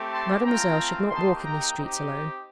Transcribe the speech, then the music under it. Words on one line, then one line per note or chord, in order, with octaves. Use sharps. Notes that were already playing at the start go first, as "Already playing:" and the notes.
Mademoiselle should not walk in these streets alone.
Already playing: A3 C4 G4
A5 C6
A3 C4 F4 G5 A#5
A#3 D#4 G4 A5 C6
G5 A#5
C4 D#4 G4